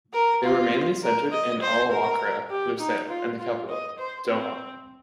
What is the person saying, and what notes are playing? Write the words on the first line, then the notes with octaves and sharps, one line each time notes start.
They were mainly centered in Al Wakrah, Lusail and the capital Doha.
A#4
F4
A#4
D#5
C5
A#4
G4
D#4
F4
F4
D#5
C5
C4